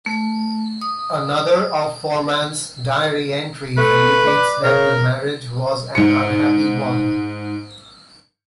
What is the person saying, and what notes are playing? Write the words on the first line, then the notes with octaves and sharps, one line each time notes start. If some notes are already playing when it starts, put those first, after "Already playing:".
Another of Forman's diary entries indicates that the marriage was an unhappy one.
A3
D#6
A3 B4
D5
C#3 A#4
G#2 C#7